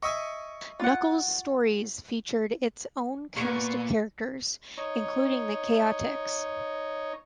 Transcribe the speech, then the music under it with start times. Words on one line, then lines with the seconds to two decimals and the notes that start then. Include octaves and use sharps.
Knuckles' stories featured its own cast of characters, including the Chaotix.
0.03 D#5 E5 G#5 C#6
0.80 F4 F#5
3.36 A#2 A#3 B3 C#6
4.77 D#4 C#5